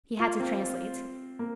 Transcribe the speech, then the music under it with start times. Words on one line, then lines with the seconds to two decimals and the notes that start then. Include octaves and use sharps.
He had to translate.
0.19 F4
0.40 C4
1.39 A#3